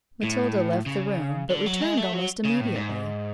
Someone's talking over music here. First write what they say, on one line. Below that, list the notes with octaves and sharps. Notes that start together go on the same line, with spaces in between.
Matilda left the room, but returned almost immediately.
A2
C#3
D3
F#3
G#3
A3
F#3
C#3
A2
G#2